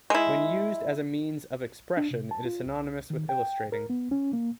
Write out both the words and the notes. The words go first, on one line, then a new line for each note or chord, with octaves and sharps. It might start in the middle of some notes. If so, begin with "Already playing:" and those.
When used as a means of expression, it is synonymous with illustrating.
G#3 E4
D4
C3
A5
F4
C2
D#3
G5
A#4
B3
C#4
A#3